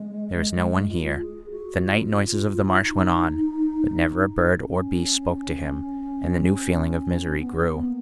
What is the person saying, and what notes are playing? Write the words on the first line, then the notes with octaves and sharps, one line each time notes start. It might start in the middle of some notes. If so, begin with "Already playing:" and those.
"There is no one here." The night noises of the marsh went on, but never a bird or beast spoke to him, and the new feeling of misery grew.
Already playing: G#3
F4
G#4
F#4
F4
D#4
C#4
B3
A#3